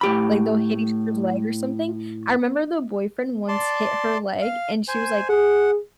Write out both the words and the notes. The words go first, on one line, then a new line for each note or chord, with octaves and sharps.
like, they'll hit each other's leg or something. I remember the boyfriend once hit her leg and she was like,
A2 G4 B5
D5 A5 C6
F5
C5 G#5
G#4 F#5